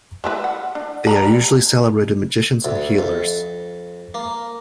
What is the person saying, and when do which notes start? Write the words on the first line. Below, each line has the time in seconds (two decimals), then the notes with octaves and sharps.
They are usually celebrated magicians and healers.
0.24 G#3 E4 B4
0.44 F#5
0.75 D4
1.07 G3 A#5 B5
2.65 D2
2.99 F2
4.14 A#3